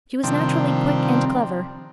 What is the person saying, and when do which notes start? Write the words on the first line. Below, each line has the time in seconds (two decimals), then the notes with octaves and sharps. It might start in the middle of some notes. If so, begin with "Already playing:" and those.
She was naturally quick and clever.
0.23 C3 D#3 F3 G3 C4 D4